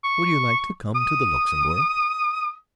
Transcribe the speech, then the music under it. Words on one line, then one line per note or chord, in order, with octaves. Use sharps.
"Would you like to come to the Luxembourg?"
C#6
D#6